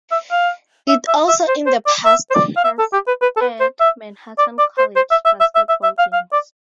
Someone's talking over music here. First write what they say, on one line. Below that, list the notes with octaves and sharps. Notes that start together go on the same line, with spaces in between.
It also in the past has aired Manhattan College basketball games.
E5
F5
E5
E5
E5
C5
C5
D5
E5
C5
D5
F5
E5
A4
G4
B4
B4
A4
B4
C5
E5
D5
D5
C5
C5
E5
E5
E5
E5
E5
E5
F5
F5
D5